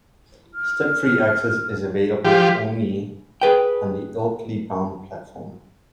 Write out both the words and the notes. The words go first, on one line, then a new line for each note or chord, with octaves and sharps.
Step-free access is available only on the Ilkley-bound platform.
F6
F3 G4 B6
G#4 B4 G5